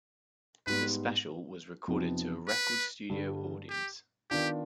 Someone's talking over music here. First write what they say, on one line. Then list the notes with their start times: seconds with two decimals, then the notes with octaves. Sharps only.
The special was recorded to a record studio audience.
0.67 G#2 G3 B3 B4
1.88 F2 C3 F3 B3 D#4
2.48 B4
3.10 G2 D3 G3
3.70 G4
4.30 D#3 B3 D4 F4 G4